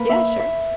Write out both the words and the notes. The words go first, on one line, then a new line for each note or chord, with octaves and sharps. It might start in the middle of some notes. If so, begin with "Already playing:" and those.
Yeah, sure
Already playing: A#3 B4
E5
E5